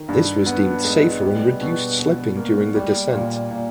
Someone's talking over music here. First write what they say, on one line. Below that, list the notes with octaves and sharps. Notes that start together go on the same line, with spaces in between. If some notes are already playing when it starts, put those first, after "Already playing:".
This was deemed safer and reduced slipping during the descent.
Already playing: D#3
G2
B3
G#3
G3
B2
B2
A#3
G3
A#2
A#2